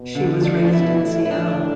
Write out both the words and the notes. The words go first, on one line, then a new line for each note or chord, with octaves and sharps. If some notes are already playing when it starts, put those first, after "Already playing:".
She was raised in Seattle.
Already playing: B2
D3
A2 D4
D4
B2 E4
A2
E4
D4